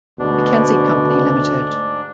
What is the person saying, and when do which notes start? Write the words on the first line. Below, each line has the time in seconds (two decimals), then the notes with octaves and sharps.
McKenzie Company, Limited.
0.19 D2 G#2 B2 D4